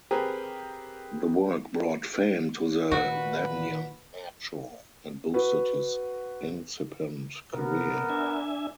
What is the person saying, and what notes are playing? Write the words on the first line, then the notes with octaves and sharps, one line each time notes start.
The work brought fame to the then young Macho and boosted his incipient career.
C4 G4 G#4 A#4 B4
A#2 D#3 F#4 B4
F#4 B4
C3 B3 A#4
D4 E5 G#5